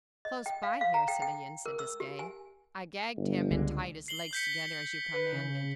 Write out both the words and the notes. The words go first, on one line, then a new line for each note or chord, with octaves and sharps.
"Close by here, citoyen," said Desgas; "I gagged him and tied his legs together as you commanded."
D#5
G5
F5
F5
A#5
G5
G5
A#4
E6
G4
G#5
G1
C#2 D3 G#3
C7 F#7 G7
G6 B6 C#7
B4
C#3